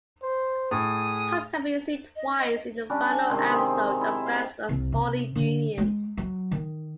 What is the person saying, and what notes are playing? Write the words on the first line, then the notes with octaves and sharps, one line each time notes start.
Pop can be seen twice in the final episode of "Bam's Unholy Union".
C5
A2 G#4 D#6
D#5
G3 C#4 D4
C3 D#3 G#3 C4
C4
E4
F5 G5
C2
C3
D3
G#3
F#3
D#3